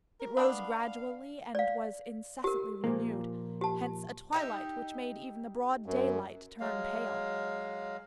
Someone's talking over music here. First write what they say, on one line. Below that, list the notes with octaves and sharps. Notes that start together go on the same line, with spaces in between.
It rose gradually and was incessantly renewed; hence a twilight which made even the broad daylight turn pale.
A#4
B3 D4 F5
D5 F5
G4 A#4
A#2 F3 A#3
G4 A5
D#4 G4 E5
F#2
F#3 G#3 F5